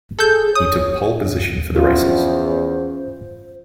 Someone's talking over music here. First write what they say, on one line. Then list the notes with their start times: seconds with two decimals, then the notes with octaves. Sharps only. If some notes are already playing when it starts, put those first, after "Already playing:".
He took pole position for the races.
0.19 G#4 A4 G6
0.55 C#5 D#6
1.76 E2 C#4 F4 C5